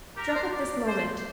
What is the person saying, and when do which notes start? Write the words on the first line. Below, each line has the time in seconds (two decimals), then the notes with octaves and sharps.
Drop it this moment!
0.16 G4 A#4
0.34 C5
0.52 D5
0.87 C5